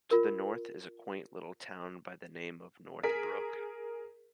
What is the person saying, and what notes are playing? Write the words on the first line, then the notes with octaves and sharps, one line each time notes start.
To the north is a quaint little town by the name of Northbrook.
F4 A#4
G#4 A#4 B6